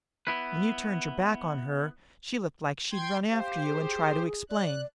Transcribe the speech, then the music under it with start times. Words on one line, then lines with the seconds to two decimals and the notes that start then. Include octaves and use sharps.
When you turned your back on her she looked like she'd run after you and try to explain.
0.27 B3 E4 B4
2.91 G5 C6 G#6
3.31 G4 C5 F5
3.66 G#4
4.50 D5 F#6